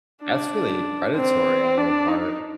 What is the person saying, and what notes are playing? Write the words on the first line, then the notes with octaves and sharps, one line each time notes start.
That's really predatory on their part.
D4
C4
D4
D#4